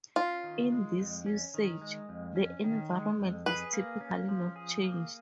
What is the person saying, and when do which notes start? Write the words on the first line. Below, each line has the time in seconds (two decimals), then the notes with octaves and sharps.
In this usage, the environment is typically not changed.
0.16 C#4 F4
0.44 D#3
0.72 G#3
0.99 F2
1.26 C#4
1.54 D#3
1.82 G#3
2.09 F2
2.36 C#4
2.64 D#3
2.91 G#3
3.19 F2
3.46 G#4 B4
3.73 A#3
4.01 C#4
4.28 F3
4.56 G#4
4.83 A#3